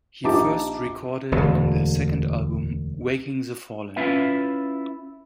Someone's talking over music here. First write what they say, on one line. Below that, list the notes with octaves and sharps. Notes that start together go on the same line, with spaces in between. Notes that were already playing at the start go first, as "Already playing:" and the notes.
He first recorded on their second album "Waking the Fallen".
A#1 F3 D#4 G4 A5 D6
E1 D2
C#4 E4 F4 B4 E5 F5